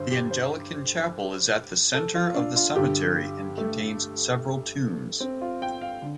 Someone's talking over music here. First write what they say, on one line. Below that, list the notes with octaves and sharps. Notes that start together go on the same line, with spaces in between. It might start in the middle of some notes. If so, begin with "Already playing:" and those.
The Anglican Chapel is at the centre of the cemetery, and contains several tombs.
Already playing: G2 D3 C5
G4
C5
A4
F4
D4
F4
G2 D3 G4
A3
C4
F4
G5
F5
D3